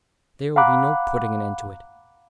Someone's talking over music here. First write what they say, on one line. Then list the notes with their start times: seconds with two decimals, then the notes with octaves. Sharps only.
There will be no putting an end to it.
0.56 F5 F#5 A#5 B5 D6 F#6